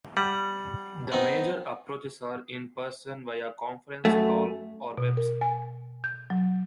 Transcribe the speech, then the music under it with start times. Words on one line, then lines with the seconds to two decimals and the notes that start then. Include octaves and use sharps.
The major approaches are "in person", via "conference call" or "website".
0.17 G3 F#5
1.12 B3 C4 D#4
4.05 F#2 A3
4.98 B2
5.17 A#4
5.41 G#5
6.04 G6
6.30 F#3